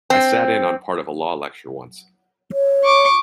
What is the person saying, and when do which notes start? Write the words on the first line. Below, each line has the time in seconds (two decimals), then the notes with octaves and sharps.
I sat in on part of a law lecture once.
0.10 C4
2.52 C#5
2.85 C#6 D6